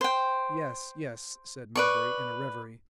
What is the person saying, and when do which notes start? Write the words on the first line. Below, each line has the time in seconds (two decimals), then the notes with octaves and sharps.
"Yes, yes," said Melbury, in a reverie.
0.01 C5 G5
1.75 B4 D5 C#6